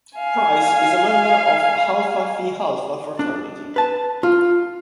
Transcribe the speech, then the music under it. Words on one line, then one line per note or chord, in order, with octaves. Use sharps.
Price is a member of Alpha Phi Alpha fraternity.
F5 G#5
D4
B4 A5
F4